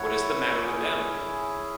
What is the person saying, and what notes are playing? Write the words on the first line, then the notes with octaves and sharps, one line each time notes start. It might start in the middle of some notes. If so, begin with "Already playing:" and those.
What is the matter with them?
Already playing: E4 C#5 F#5
C#4 E4 G#4